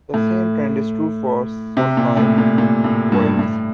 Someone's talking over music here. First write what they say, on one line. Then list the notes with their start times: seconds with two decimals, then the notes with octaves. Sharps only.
The same trend is true for solenoid coils.
0.14 A2
1.77 C3
1.97 A#2
2.17 A2
2.38 A#2
2.58 A#2
2.84 A2
3.12 G2
3.39 A2